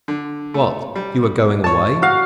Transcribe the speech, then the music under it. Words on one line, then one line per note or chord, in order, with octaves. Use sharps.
What! you are going away?
D3
A3
G3
C#5 A5
F#4 F5